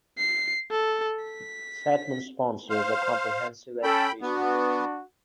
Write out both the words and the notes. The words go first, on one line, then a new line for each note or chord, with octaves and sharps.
Satmar sponsors a comprehensive education system.
C7
A4
B6
C5 F5
C#4 A4 G5 B5
B3 D4 F#4